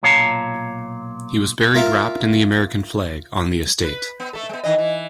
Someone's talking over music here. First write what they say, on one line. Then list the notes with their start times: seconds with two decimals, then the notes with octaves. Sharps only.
He was buried wrapped in the American flag, on the estate.
0.03 B1 A#2 C#5 F5 A5 A#5
1.75 F4 A#4 E5 F5
3.84 B4
4.20 B3
4.33 A3 A4
4.49 G#3 B3
4.64 D#3 E3 D#5
4.78 E3